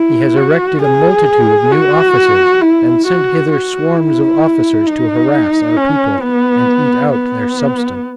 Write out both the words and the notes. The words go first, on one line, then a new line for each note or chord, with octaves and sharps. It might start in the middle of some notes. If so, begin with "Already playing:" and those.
He has erected a multitude of New Offices, and sent hither swarms of Officers to harass our People, and eat out their substance.
Already playing: E4
F#4
G#4
F#4
E4
F#4
F#4
E4
D#4
C#4
B3
B3